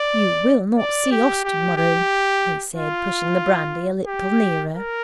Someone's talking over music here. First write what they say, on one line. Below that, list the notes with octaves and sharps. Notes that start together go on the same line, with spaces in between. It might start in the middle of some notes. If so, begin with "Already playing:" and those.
'You will not see us tomorrow,' he said, pushing the brandy a little nearer.
Already playing: D5
D5
G4
G4
G4
F4
G4
A#4